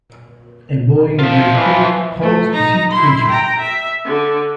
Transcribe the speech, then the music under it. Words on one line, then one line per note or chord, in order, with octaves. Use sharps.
A boy in a gray coat holds a sea creature.
F3 F4 E5
E3
A3
D#4 A#5
E4 C6
G5 A#5
E5
D3